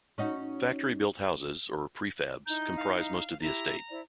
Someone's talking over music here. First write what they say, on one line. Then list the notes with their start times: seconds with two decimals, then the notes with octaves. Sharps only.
Factory built houses, or prefabs, comprise most of the estate.
0.18 C#4 D#4 F#4
2.46 D#4 E4 A#5 G6
2.77 F5
3.41 E4 G4 A#5
3.90 E4 C5 D5